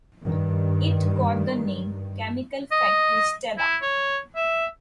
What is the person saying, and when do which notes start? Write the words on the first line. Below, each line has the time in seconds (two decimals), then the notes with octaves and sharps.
It got the name Chemical Factory Stella.
0.23 G2 D#3
2.72 D#5
3.58 E4
3.82 C#5
4.36 E5